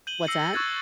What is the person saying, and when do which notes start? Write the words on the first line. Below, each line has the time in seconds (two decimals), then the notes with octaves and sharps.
What's that?
0.07 G6 D#7 F#7 G7
0.27 E6 A#6 C7 C#7 F#7
0.53 C#6 E6 F#6 G#6 A6 C#7